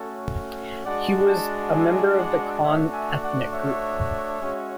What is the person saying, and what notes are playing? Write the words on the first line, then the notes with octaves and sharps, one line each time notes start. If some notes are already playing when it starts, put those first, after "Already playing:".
He was a member of the Krahn ethnic group.
Already playing: A3 C#4 F#4 A4 C#5
G#3 D4 F#4 D5 F#5
F#5 A5
E5 G#5
D5 F#5
A3 D4 F#4 C#5 E5
E5 G#5
D5 F#5
C#5 E5
G#3 C#4 F#4